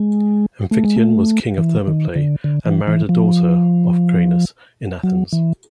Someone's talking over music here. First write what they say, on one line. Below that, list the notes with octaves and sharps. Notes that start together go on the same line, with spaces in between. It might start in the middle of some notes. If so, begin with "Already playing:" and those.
Amphictyon was king of Thermopylae and married a daughter of Cranaus of Athens.
Already playing: G#3
A3
G#3
A3
E3
D#3
D3
D3
E3
E3
F3
F#3
E3